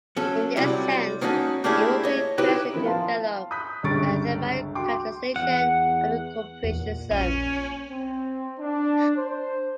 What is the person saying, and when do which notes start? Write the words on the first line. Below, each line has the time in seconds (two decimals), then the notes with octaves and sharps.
In this sense, it would be interesting to develop a thematic capitalization of the cooperation zone.
0.17 F#3 C#4 A4
0.56 C3 F#3 G3 E4
1.21 A#3 B3 C#4 D#4 F#4 A4
1.64 A3 A#3 D4 E4 G4 G#4
2.03 C#5 D#5
2.38 D#4 E4 F#4 G4 B4 C#5
2.73 F3 B3 C4 E4 A#4
2.86 F5 A5 C6
3.51 B5 D#6 F#6 G6 B6
3.83 G1 C#2 G3 C#6 A6 D7
4.75 F#4 G5 C6 D6
5.36 E2 F#5
6.64 E2 A#2
7.11 A#1 C#4
7.90 C4
8.60 D4
9.17 C5